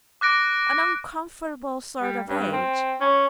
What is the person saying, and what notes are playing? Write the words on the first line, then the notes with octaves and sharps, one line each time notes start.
'An uncomfortable sort of age.
D6 F#6 A#6 D7
G3
G2
C4
C#4